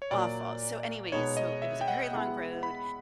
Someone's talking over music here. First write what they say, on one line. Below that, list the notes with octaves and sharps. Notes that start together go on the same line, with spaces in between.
Awful. So, anyways, so it was a very long road.
C#5
A#2 F#3 A#3 D5
B2 G#3 B3 D#4 C#5
D#5
E5
G5
F#5
G#3 B3 E4
B5